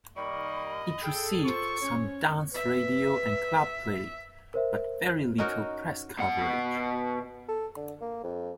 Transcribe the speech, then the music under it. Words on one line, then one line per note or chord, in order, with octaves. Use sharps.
It received some dance radio and club play, but very little press coverage.
D#3 G3 A#3 D#5 B5 C#6
G#4 A4 G5
F4 C5 C#6
C#4 C#5
B4 E5
A#4 C5 E5
C#4 D#4 F#4 A#4
B2 F#5
A4
D3
A#3
F2